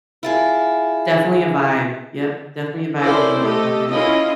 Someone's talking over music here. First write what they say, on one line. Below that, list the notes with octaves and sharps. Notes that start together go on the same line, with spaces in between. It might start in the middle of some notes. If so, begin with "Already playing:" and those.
definitely a vibe yep, definitely a vibe when you walk out there
E4 F4 G#4
C#4 E4 A4 A#4 C5 D5
A3 G4 A4 D#5
C#4 E4 F4 D#5